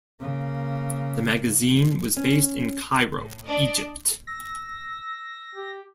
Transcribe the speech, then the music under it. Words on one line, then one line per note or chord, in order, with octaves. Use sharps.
The magazine was based in Cairo, Egypt.
C#3 A#3
C#4
A2
D4 D5 D#5
E6 A#6
G4